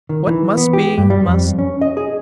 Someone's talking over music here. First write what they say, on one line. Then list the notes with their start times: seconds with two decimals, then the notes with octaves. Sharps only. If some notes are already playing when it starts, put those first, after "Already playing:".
What must be, must....
0.09 D#3
0.27 E3
0.57 B3
0.73 G4
0.98 G2
1.10 G3
1.27 F2
1.59 C#4
1.81 D#5
1.97 G#4